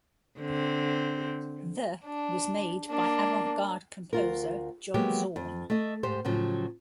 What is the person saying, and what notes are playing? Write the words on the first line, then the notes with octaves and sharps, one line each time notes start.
The was made by the avant-garde composer John Zorn.
D3 C4
D4
A#3 D4
D2 F4 A#4
F#3 G#3 A#3 B3 G4
F2
A3 D#5
G#2 G4 C5
A2 C#3 F3 F#3